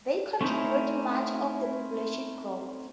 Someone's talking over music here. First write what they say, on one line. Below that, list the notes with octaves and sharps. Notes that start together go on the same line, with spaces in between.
They contribute much of the population growth.
A3 C4 C#4 D#4 E4